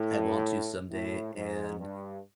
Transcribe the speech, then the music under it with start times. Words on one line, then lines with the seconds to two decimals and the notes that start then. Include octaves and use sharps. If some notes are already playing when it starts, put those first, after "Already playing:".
I want to someday, and
Already playing: A2
0.90 A2
1.34 G#2
1.78 G2